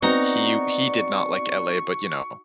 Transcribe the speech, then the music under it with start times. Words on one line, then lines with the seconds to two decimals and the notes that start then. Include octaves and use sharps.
he he did not like LA, but, you know
0.02 B3 C4 D#4 F#4 D5 A#5 C#6